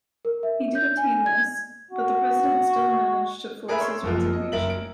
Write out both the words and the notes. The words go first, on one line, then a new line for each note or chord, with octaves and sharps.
He did obtain this, but the President still managed to force his resignation.
A#4
E5
G6
G#5
G#6
F#4
G#4 A#4 B4 E5
C#5 C6 E6
F#1 F3 A#3 F4
D#5
F#1 A#4 E5 F#7
D7